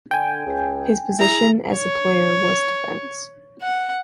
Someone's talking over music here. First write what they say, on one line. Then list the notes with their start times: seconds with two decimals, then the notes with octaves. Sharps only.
His position as a player was defence.
0.11 D3 G5 G#5
0.46 C#2
1.19 E4 G#4 A#5
1.74 C#5
3.62 F#5